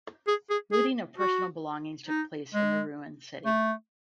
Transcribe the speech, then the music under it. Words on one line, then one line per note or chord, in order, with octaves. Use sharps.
Looting of personal belongings took place in the ruined city.
G#4
G#4
G#4
F#4
D#4
G#3
A3